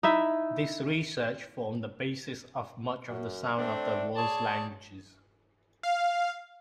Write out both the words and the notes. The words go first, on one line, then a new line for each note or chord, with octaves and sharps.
This research formed the basis of much of "The Sounds of the World's Languages".
D#4 E4 E5
F#2
A3 C4 D4
G#4 C#5 D5 A5
F5